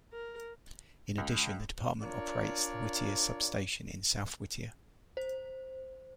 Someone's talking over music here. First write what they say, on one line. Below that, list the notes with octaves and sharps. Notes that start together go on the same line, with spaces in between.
In addition the department operates the Whittier Substation in South Whittier.
A#4
C#2
D4 F4 A#4 C#5 D5
C5